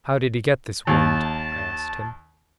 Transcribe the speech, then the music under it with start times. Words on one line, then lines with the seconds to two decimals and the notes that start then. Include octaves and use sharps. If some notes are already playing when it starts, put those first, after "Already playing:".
"How did he get this wound?" I asked him.
0.87 D#2 A5